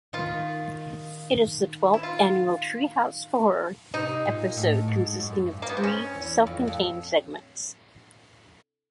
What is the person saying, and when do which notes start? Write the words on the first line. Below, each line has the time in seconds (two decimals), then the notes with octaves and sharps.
It is the twelfth annual "Treehouse of Horror" episode, consisting of three self-contained segments.
0.13 D#3 F4
1.94 E4
2.03 F4
3.94 C3 D#4
4.25 A#2
4.57 A2
4.88 G#2
5.20 F#2
5.51 G2
5.62 A#3
5.69 B3
5.77 C4
5.84 C#4
6.15 E2
6.47 F2
6.68 F2